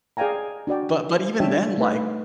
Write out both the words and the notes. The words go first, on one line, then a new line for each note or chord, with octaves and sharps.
but but even then, like
G#4 D5 F5 G5 G#5 A#5
D4 F#4 D5 G5
G3 D4 C#5 E5 G5 A5
A3 D#4 B4